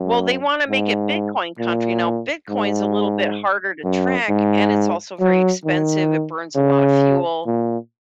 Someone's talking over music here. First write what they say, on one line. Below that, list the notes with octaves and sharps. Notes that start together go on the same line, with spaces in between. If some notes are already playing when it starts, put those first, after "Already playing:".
Well, they want to make it bitcoin country. Now, Bitcoin's a little bit harder to track, and it's also very expensive, it burns a lot of fuel.
Already playing: F#2
G#2
A#2
G#2
F#2
G#2
F#3
D#3
C#3
A#2